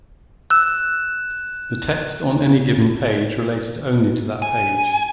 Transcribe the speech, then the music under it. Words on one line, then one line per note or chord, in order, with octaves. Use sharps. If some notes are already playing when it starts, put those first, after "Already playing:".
The text on any given page related only to that page.
E6 F#6 E7
G#5